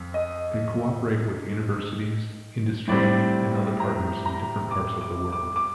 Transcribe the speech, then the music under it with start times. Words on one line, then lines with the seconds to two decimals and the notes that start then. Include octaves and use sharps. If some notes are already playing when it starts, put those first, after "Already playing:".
They cooperate with universities, industry, and other partners in different parts of the world.
Already playing: F2
0.14 D#5
2.88 A2 G3 C4 D5
3.80 A#5
4.26 A#5
4.71 D6
5.01 D6
5.32 D6
5.56 D6